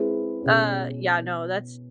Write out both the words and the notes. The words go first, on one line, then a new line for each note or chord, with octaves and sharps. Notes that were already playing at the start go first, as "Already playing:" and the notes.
Uh. Yeah, no. That's
Already playing: G#3 C4 E4 G#4 B4
B2 G#3 C#4